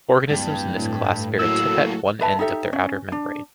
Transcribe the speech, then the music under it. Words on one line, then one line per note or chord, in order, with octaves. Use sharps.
Organisms in this class bear a tip at one end of their outer membrane.
D1 G2
A2
A2 F#3 A#3 F#4 A4 E6
B4 E5 A5
D#4 G4 A4 E5
C#4
D4